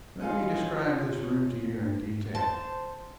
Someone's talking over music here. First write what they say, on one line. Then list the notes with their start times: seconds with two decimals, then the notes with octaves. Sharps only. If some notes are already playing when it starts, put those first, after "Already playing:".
Let me describe this room to you in detail.
0.21 C#4 D#4 F4 G#4
2.35 C5 A5